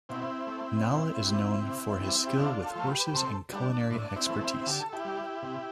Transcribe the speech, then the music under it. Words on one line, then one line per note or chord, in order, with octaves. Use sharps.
Nala is known for his skill with horses and culinary expertise.
B2 C4 E4
A3
B2
G3
C3
E3 G3
G4
D3 D4 F4
F4 A4
F3 A3
G4 B4
B4
C3 A4 C5
G3 D4
D4
A2 D4
C4 E4
E3 A3
C4 E4
D3 G4
A4
E4 G4
G3
C3